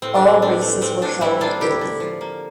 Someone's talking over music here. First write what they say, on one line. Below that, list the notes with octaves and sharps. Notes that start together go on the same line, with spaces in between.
All races were held in Italy.
A2 C4
D4
A2 C4
E3 D4
A3
A2 C4
A2 D4
G3 C4 E4
A#3 D4 F4
D3 E4 G4
D3
F3
A#3